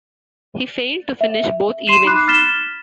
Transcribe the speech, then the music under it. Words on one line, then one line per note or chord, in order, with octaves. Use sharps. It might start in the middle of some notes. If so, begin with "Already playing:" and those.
He failed to finish both events.
E5
C6 C7 D#7 E7
D#4 B5 D6 F#6 C7
F6 A6 B6 E7 G7